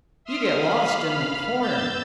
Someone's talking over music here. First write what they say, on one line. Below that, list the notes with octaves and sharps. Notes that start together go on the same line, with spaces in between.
You get lost in the corn.
E5 C6 D#6 F6
F5 B5 F6
E6 G6 A6